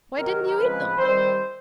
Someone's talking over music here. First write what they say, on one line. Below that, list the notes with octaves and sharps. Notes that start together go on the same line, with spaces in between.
"Why didn't you eat them?"
C3 D#3 F#3 A#4
C#3 F3 G#3 C4 B4
D#3 G3 C4 C5